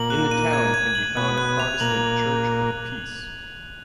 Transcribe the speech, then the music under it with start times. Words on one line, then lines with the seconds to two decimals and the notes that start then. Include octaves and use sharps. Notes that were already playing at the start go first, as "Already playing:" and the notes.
In the town can be found a Protestant Church of Peace.
Already playing: A#2 A#3 F#7
0.10 F#6
0.31 D#7
0.53 G#6
0.74 G#6
0.95 F#7
1.17 B2 B3 F#6
1.38 F#6
1.60 F7
1.80 A#2 A#3 F#7